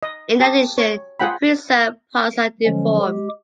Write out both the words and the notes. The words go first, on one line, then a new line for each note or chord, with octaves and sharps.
In addition, the preserved parts are deformed.
D#5
G4 A5 D#6
C#5
F4 G#4 F#5 G5 B5
D3 F3 F#3 G#3 C#4
G#3 G4